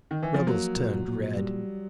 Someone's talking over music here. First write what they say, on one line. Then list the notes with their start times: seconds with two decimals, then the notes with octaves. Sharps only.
Ruggles turned red.
0.11 D#3
0.22 E3
0.34 F3
0.47 F#3 A#3
0.76 A#2
1.08 A#2
1.37 G3